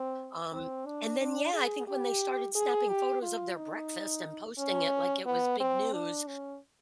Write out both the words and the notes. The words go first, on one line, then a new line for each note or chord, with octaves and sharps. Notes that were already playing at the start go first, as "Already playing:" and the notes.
Um, and then, yeah, I think when they started snapping photos of their breakfast and posting it like it was big news.
Already playing: C4
C4
D4
D4
G#4
G4
G#4
G4
F4
D#4
C#4
B3
C4
D4
C#4